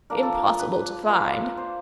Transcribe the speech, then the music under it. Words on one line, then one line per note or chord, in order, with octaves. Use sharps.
"Impossible to find."
F3 A#3 D4 A#4
A4
A#4
B4
A#3 D4 F4 B4
C5